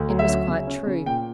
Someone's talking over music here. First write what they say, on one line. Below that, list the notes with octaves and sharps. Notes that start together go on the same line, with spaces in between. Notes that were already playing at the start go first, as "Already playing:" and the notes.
It was quite true.
Already playing: D2
F#3
E5
C#4
C#3
C#4
C#3
A#2 G5